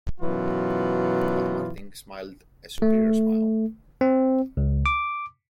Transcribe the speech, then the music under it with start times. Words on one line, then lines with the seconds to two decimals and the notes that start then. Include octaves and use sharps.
But Martin smiled a superior smile.
0.20 F#2 B2 E3 F#3 F4
2.82 A3
4.01 C4
4.57 C#2
4.86 D6